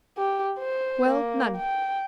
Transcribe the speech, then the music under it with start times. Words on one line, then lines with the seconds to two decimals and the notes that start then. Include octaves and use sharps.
Well, none.
0.17 G4
0.59 C5
1.09 A#3
1.57 G5